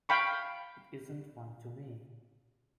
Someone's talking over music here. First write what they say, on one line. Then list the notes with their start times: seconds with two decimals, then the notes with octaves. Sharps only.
It isn’t one to me.
0.09 F5 G5 B5 C#6